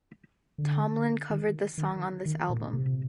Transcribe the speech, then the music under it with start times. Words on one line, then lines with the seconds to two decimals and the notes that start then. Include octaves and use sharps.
Tomlin covered the song on this album.
0.58 D3
1.30 D#3
1.78 D#3
2.26 D#3
2.49 A#2
2.73 C3